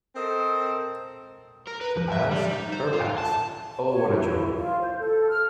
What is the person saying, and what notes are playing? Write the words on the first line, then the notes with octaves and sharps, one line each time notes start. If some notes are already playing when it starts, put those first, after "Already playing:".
The past — her past, oh, what a joy!
C4 A4 A#4 D#5
A#4
B4
F3
E5
G3
D#4
C5
F4
A5
C#5
E4
F4
C5
A4
F6